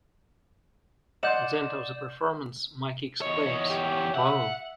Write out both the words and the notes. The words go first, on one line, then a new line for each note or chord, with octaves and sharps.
At the end of the performance Micky exclaims, Whoa!
D5 D#5 F#5 C6 G6 E7
E2 C#5 D#5
G4
E5 F#5